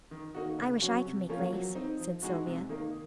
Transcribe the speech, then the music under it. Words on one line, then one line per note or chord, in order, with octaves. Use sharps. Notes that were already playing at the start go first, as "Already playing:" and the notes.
"I wish I could make lace," said Sylvia.
D#3
A#3 D#4 F#4
C#3
F#3 C#4 F#4
C3
F3 A#3 C#4 F4
F#3
C4 D#4
F3
G#3 D#4 F#4
C3
D#3 A#3 D#4